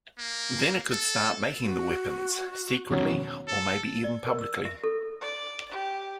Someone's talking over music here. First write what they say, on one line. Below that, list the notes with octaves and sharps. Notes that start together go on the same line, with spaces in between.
Then it could start making the weapons - secretly or maybe even publicly.
A#3
A4
F#4
E1 F2 B2 D#3 F#3 C#4
A4
D5
A#4
E6
E5
A4
D5
G4